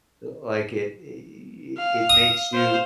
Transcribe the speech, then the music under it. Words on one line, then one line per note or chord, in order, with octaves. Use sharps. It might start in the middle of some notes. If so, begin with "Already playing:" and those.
l like, it i i it makes you
F5
D#6
C5 F5